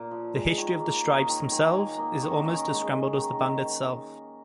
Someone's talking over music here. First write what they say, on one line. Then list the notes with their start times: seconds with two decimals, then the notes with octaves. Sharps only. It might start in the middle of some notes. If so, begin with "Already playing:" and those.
The history of the stripes themselves is almost as scrambled as the band itself.
Already playing: A#2
0.11 F3
0.35 G#3
0.57 D#3 C#5
0.81 A#3
1.05 A#3 F5
1.12 D#5
1.19 C#5
1.26 D#3 D#5
1.51 D#3 G#5
1.75 A#3 G#5
1.98 A#3 D#5
2.22 D#3 C#5
2.45 D#3 C#4
2.69 G#3
2.92 G#3
3.15 D#3
3.39 D#3